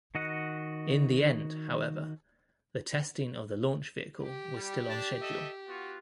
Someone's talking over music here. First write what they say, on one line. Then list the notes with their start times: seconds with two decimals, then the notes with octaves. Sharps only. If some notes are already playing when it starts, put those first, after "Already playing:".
In the end however the testing of the launch vehicle was still on schedule.
0.15 D#3 F#4 D#5 F#5
4.22 G4
4.55 G3
4.88 D4 A5
5.21 A4 D#5 E5
5.68 B3 F4 F#4